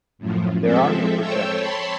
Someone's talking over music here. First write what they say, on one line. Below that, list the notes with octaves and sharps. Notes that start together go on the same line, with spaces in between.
There are no projections.
F#2 A2 F3
F3 G#3 C4 A4 E5
A4 C5 C#5 G5 E6
C#5 A5 B5 C6